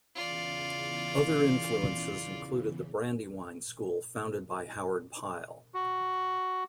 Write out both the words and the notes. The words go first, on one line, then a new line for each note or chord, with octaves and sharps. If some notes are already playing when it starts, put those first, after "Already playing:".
Other influences included the Brandywine School founded by Howard Pyle.
E2 C#3 E3 F4 D5
F#4